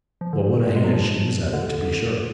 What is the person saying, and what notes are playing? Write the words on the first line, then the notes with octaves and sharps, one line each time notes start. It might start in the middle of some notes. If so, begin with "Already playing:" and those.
Well, what a hand she is at it, to be sure!'
F3
D3
G#3
F#3
F3
D3